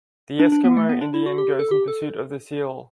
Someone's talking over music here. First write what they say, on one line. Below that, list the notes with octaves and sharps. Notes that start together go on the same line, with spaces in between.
The Eskimo Indian goes in pursuit of the seal.
D4
D4
B3
A3
B3
D4
E4
F#4
G4
A4
G4
A4